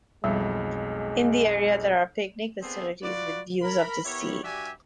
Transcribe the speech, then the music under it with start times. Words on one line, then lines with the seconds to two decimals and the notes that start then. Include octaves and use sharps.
In the area, there are picnic facilities with views of the sea.
0.24 B1 F2 G3 G#3
2.62 B3 C4 D4 G#4 A4 C5
3.03 F4 F#4 B4 D5
3.62 A#4 B5
4.05 B3 E4 G4 A#4 C#5
4.42 G2 F#4 G4 D5 E5 G#5